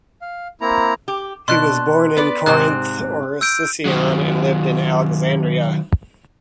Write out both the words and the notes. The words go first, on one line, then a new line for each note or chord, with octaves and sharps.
He was born in Corinth or Sicyon, and lived in Alexandria.
F5
A#3 C4 E4 A#5
G4
B2 D4 C6 F#6
B3 B4 D5
G#2 C3 C4 F#6
E6 G6 D7
D#3 F#3